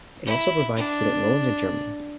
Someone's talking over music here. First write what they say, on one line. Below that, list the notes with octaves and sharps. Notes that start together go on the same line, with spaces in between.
It also provides student loans in Germany.
E4
D4